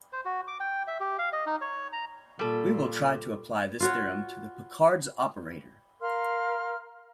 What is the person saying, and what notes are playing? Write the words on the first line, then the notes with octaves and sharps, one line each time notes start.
We will try to apply this theorem to the Picard's operator.
C5
F#4
D6
G5
E5
G4
F5
D#5
D#4
C#5
A#5
A#2 G3 A4
F4 F#4 C#5
A#4 F5 C6 F6